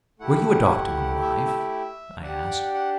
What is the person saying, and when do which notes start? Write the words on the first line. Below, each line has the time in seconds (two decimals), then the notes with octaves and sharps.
"Were you a doctor when alive?" I asked.
0.19 A3 E4 G4 F#5
1.21 E5
1.47 E5
1.59 E5
2.22 D4 G4 F#5
2.74 F#5